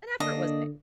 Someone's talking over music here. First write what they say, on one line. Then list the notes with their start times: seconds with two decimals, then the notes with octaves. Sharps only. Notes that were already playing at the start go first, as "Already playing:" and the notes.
An effort was made.
0.20 D3 A#3 D4 D#5